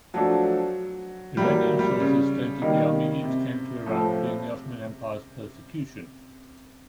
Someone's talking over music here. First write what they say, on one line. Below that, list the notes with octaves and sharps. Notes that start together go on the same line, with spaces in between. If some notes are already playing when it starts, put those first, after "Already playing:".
Iranian sources state that the Armenians came to Iran fleeing the Ottoman Empire's persecution.
F3 F#3 A3 D4
A2 F#3 G3 A#3
G3
C#3
D#3 G3 A#3 D#4
C3
A2 F3 A3